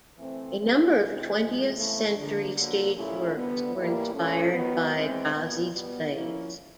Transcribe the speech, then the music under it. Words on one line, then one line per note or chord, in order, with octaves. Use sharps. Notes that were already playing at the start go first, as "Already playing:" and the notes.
A number of twentieth-century stage works were inspired by Gozzi's plays.
E3 A3 C4
E3 G#3 C4
C3 E3 G#3 C4 E4
C3 F3 G#3
C#3 E3 A3
D3 F3 A#3 D4
D3 F#3 A#3
A#2 F3 A3 C#4 E4
D3 G3 B3
A2 E3 G3 A#3
A#2 F3 A3 C#4
D#3 F#3 B3
E3 G#3 C4
A#2 F#3 B3
B2 G3 B3
F3 A#3 C#4 E4